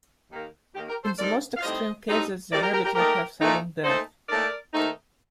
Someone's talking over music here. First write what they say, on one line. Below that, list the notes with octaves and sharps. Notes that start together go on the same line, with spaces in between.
In the most extreme cases the rabbit will have sudden death.
D#2 D#3 A#3
D#2 D#3 A#3 G4
G4 A#4
A4 C5
A2 G3 C4 D#4 A#4 D5
F5
A2 G3 C4 D#4 C5 D#5
A2 G3 C4 D#4
A2 G3 C4 D#4 A#4 D5
G4 A#4
G4 A#4
G4 A#4
A#2 A3 D#4 G4 A#4
A#2 A3 D#4
A#2 A3 D#4 A4 C5
A#2 A3 D#4 A#4 D5
D#2 D#3 A3 C4 D#4